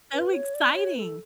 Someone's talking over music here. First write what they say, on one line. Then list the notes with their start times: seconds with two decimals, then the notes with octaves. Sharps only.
so exciting,
0.13 B4
0.34 C#5
0.55 D5
0.74 C#5
0.95 B4
0.99 A4